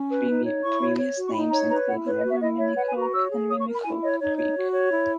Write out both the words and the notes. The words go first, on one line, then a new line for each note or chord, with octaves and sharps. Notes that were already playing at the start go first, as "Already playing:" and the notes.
Previous names included River Mimicoke and Mimicoke Creek.
Already playing: C#4
B4
D#4
C#5
E4 C#6
C#5
C#5
F#4
C#6
D#4 B5
C#5 A#5
B4 A#5
E4 F#5
B4 C#5
D#5
F#4
E5
E4 D#5
C#5 E5
B4 F#5
G#5
F#4
A#5
C#5 E6
G#4
C#5 D#6
C#6
A#4
B5
E4 G#5
C#5 D#5
D#4 C#5
C#5
F#4
C#5
E4